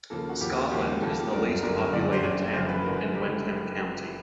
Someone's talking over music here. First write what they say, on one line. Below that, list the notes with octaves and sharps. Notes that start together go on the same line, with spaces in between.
Scotland is the least populated town in Windham County.
D#2 C#3 F3 A#3 A4
F#4
D#2 C#3 F3 A#3 G4
F#4
D#2 C#3 F3 A#3 G4
D#2 C#3 F3 A#3 A4
G1 F#2 D3 G3 A#4
G1 F#2 D3 G3 A#4
A#4
G1 F#2 D3 G3 D5
C5
G1 F#2 D3 G3 C#5
F#1 F#2 D3 C5
B4
F#1 F#2 D3 A#4
F#1 F#2 D3 G4